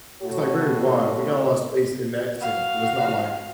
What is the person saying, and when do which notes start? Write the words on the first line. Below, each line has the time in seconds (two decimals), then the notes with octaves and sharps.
It's like very wide, we got a lot of space in that sense, but it's not like
0.22 A2 F#4 C#5
2.38 F#4 F5